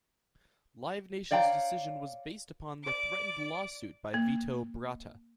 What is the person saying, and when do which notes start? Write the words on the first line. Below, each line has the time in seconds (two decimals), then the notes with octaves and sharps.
Live Nation's decision was based upon the threatened lawsuit by Vito Bratta.
1.31 C#5 D5 F5 G5 A5 A#5
2.83 D5 D6
4.14 A#3